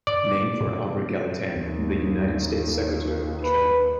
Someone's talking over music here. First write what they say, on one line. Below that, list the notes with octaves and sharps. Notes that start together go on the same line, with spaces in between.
Name for Albert Gallatin the United States Secretary of the Treasury.
D5
D#2
B4